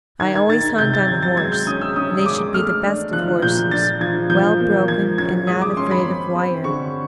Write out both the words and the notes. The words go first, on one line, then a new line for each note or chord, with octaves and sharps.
I always hunt on a horse, and they should be the best of horses, well broken and not afraid of wire.
D#3 G#6
G#6
D#3 A6
C3 G6
A6
F#3 G#6
A6
G#3 G#6
G6
C#4 D#6
E6
C#4 D#6
D#6
G#3 D6
A3 F6
D4
F3 F#6
A#2 G6
D4 A6
F3 G#6
F3 G6
A#3
F3 G#6
C#4 G#6
G#3 D#6
D6
C#4 C6
B5
C4
C4
D3 C#6